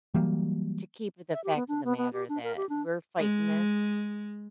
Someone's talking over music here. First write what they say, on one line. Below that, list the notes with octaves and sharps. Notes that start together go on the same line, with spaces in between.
to keep with the fact of the matter that we're fighting this.
E3 F#3 G3 A#3
E5
G4
B3
D4
B3
B3
G4
D4
A#4
G4
D4
G#3